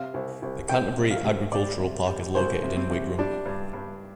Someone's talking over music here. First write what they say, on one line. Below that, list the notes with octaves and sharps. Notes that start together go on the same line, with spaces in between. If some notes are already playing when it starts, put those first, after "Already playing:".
The Canterbury Agricultural Park is located in Wigram.
Already playing: C3 F5
C2
C2
C2 G5
C3
F5
C2
G3 D5
C3
G3
C2 C5
C3
C4
C3
G3 D4
G2
G2